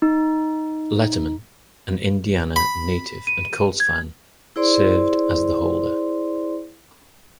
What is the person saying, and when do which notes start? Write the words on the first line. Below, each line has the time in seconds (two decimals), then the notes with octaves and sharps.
Letterman, an Indiana native and Colts fan, served as the holder.
0.02 D#4
2.56 B5
3.27 D#7
3.80 G#6
4.56 E4 G#4 C5 D5 C6